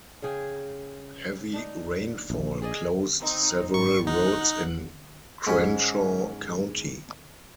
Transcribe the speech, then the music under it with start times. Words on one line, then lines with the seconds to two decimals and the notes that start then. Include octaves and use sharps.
Heavy rainfall closed several roads in Crenshaw County.
0.22 C#3 G#4 G5
1.53 D4 D#4
2.30 A#1
2.62 G#4 D5 D#5
3.20 C4 D#4
3.74 G#2 G3 C#6
4.07 D#4 F#5 F#6
5.47 G#2 C#4